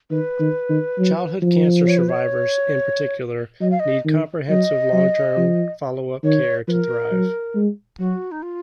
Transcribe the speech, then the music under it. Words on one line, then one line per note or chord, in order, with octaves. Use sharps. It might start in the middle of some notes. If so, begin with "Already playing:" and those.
Childhood cancer survivors, in particular, need comprehensive long-term follow-up care to thrive.
D#3 B4
D#3
D#3
F#3
F3
C#5
B4
C#5
F#3 D#5
F5
D#5
D#3
F#3 D#5
F#3
F3
D#3 C#5
F3 A#4 B4
F#3
G#3
F#3 F#4
D#4
F4